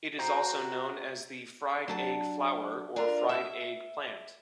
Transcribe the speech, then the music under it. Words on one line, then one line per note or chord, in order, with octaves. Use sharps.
It is also known as the "fried egg flower" or "fried egg plant".
F#4 C5 G5 A#5
F#3 D4 A5
D4 F4 A#4
E5